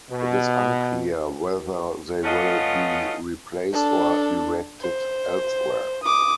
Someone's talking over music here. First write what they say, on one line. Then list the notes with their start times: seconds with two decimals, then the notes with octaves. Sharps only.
It is unclear whether they will be replaced or erected elsewhere.
0.11 B2
2.24 A3 B3 C#4 F4 D#5
3.73 D4 A4
4.81 C5
6.04 D6 D#6